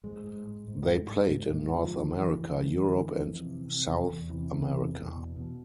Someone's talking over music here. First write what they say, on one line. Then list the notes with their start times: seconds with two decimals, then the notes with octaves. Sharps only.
They played in North America, Europe, and South America.
0.03 G#2 G#3
0.24 G#2
0.47 G#2
0.68 G#2
0.89 G#2
1.10 G#2
1.32 G#2
1.53 G#2
1.74 D3 F3
1.96 D3
2.16 F2 E3
2.38 F2
2.59 D3 E3
2.80 D3
3.02 F2
3.23 F2
3.45 C3
3.65 C3
3.87 E2
4.09 E2
4.29 C3 E3
4.51 C3
4.72 E2
4.94 E2
5.15 B2
5.36 B2